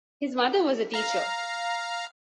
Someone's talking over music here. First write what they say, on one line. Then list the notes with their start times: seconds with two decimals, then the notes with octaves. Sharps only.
His mother was a teacher.
0.94 F5 A#5